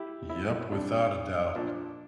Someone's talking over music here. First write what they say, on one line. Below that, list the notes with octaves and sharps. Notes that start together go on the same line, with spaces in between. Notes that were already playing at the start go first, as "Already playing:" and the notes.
Yep, without a doubt.
Already playing: E4 G4
E4
C3 G3 D4
A#2 F3 D4